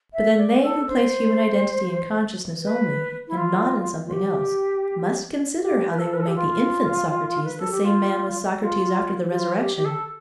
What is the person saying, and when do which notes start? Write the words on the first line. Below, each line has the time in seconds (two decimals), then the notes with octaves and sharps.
But then they who place human identity in consciousness only, and not in something else, must consider how they will make the infant Socrates the same man with Socrates after the resurrection.
0.13 E5
0.37 D5
0.62 A4
0.87 C5
2.62 B4
3.27 E4
3.36 F4
4.06 F4
4.12 G4
5.61 G4
5.91 B4
5.98 A4
6.13 B4
6.20 A4
6.27 G4
6.35 F4
7.44 B4
7.58 A4
7.71 G4
7.84 F4
8.60 F4
9.30 G4
9.35 F4
9.58 G4
9.76 G4
9.84 A4